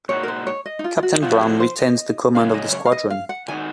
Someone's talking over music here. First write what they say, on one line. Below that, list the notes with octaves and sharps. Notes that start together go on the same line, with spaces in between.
Captain Brown retained the command of the squadron.
A#2 G#3 D#4 F#4 C#5
A#4
C5
C#5
D#5
D#4
F4
F4
F#4
F3 C4 D#4 F4 F#4
G#4
C5
D#5
F#2 C#3 G#3 C#4 F5
D#5
C#5
F5
D#5
F5
F#5
D#3 G#3 D#4 F#4 G#5